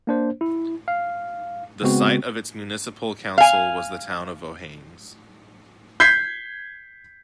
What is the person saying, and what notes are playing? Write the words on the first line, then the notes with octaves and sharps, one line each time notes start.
The site of its municipal council was the town of Vojens.
A#3 D4 C5
E4
F5
C#3 G#3 B3 C4 F#4
F5 G#5
G6 G#6 B6 C7